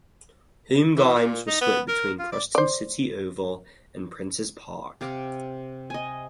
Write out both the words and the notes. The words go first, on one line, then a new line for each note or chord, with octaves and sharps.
Home games were split between Preston City Oval and Princes Park.
E3
A#2
D#4
B3
A#4
F4
D5
C5 D5
C3 F5 D6
D#5 G#5